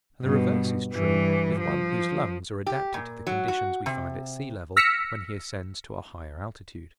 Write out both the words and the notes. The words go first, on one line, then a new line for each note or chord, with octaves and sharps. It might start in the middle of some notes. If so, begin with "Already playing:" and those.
And the reverse is true with one whose lungs are adapted to the conditions we find at sea-level, when he ascends to a higher altitude.
G2 B2
G2 E3
F3
G4
A#2
F#3
F#4
C3
E6 F6 A#6 B6 C#7